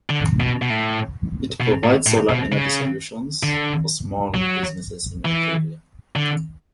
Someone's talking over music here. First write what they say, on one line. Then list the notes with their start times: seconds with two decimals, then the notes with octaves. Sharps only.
It provides solar energy solutions for small businesses in Nigeria.
0.10 D3
0.40 B2
0.62 B2
0.70 A2
1.61 B2
1.84 A2
2.06 A2
2.29 B2
2.52 C#3
3.43 D3
4.34 F#3
5.25 E3
6.16 D3